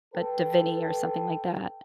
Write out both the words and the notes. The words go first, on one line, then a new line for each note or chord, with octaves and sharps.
but Dhivehi or something like that.
A4 B4 G5